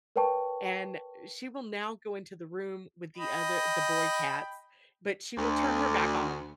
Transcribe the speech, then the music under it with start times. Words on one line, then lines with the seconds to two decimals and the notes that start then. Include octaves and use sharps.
and she will now go into the room with the other the boy cats, but she will turn her back on 'em
0.16 A#4 B4 C#5 G5 A5 C#6
3.17 D#5 G5 B5
5.37 D2